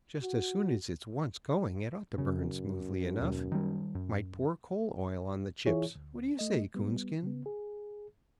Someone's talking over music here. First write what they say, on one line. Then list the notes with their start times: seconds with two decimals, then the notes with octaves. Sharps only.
"Just as soon as it's once going, it ought to burn smoothly enough--might pour coal oil on the chips. What do you say, Coonskin?"
0.23 F#4
2.18 F#2 C#3
3.21 D#2 B2
3.52 D#3 G3
3.95 F#2
5.66 E3 E4 F4 G#4 C#5
5.95 D2
6.39 A3 D#5
6.74 G3 B3
7.23 C#3 B3
7.46 G#4